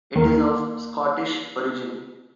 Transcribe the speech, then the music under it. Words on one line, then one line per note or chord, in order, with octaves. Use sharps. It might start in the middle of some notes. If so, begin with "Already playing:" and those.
It is of Scottish origin.
D#2 A#3 A#4